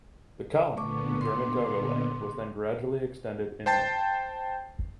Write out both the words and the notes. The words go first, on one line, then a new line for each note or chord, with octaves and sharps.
The colony of German Togoland was then gradually extended inland.
A#2 D3 A3 B3 C#6 D6
C6 D6
C5 G5 A5 A6 C7